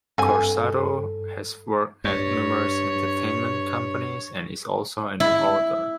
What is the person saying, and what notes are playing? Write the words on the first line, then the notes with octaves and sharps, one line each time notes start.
Corsaro has worked at numerous entertainment companies and is also an author.
G2 C4 A4 G#5
G2 C#5
E4